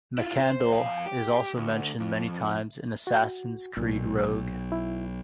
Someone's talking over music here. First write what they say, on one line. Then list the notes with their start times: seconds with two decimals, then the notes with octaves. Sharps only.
Mackandal is also mentioned many times in "Assassin's Creed Rogue".
0.18 E4 F4
0.42 C5
0.73 F2 F5
1.06 G4
1.57 D2
2.00 F2
3.07 F#4
3.77 B1 A#2
4.72 E4